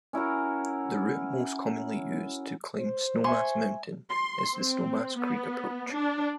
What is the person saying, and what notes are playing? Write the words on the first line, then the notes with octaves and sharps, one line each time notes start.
The route most commonly used to climb Snowmass Mountain is the Snowmass Creek approach.
C#4 E4 F#4 A#4
C5
E5 G#5 C6 C#6
C6
C4
B3
D4